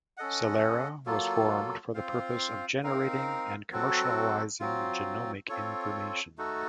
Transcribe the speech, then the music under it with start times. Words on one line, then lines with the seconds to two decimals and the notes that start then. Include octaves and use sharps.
Celera was formed for the purpose of generating and commercializing genomic information.
0.17 C#4 A4 D#5 F#5
1.06 F#3 A#3 F4 A4
1.94 C4 F4 C5 F5
2.83 C4 D#4 A#4 F5
3.72 F#3 C4 F#4 A4
4.60 F#3 C4 F4
5.49 C4 F4 A4 C#5
6.38 A3 D#4 F#4 A4